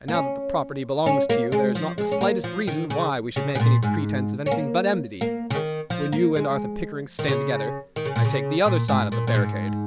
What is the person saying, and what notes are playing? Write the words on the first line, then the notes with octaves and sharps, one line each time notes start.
And now that the property belongs to you, there is not the slightest reason why we should make any pretense of anything but enmity. When you and Arthur Pickering stand together I take the other side of the barricade!
A#3
C#4
C#4
A#3
G#3
F3
G#3
C#4
A#3
F3
D#3
C#3
C#3
C#3
A#2
G#2
C#4
A#3
A#3
C#3
D#3
F3
A#3
G#3
D#3
C#3
D#3
C#3
A#2
C#3
A#2
G#2
A#2
A#2
G#2